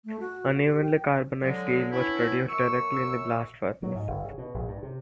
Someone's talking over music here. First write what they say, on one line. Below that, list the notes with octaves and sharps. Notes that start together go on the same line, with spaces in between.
Unevenly carbonized steel was produced directly in the blast furnace.
A3
F#4
G4
G5
D3 F#3 G#3
B3 C#4 D4 E4
F#2 C#6 E6
F#3
G#2
G1
C#3
B2
A#1
G2
C3